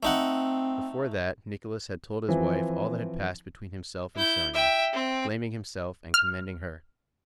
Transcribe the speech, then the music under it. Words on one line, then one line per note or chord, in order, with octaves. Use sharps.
Before that, Nicholas had told his wife all that had passed between himself and Sonya, blaming himself and commending her.
A3 C4 D#4 F#5
E3 F3 C4
E4 G6
E5 G5
C4
F6